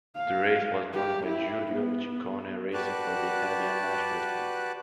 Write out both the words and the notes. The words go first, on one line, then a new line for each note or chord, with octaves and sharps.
The race was won by Giulio Ciccone racing for the Italian national team.
F5
G4
E4
B3
F#4 G4 B4 D5 A5 F#6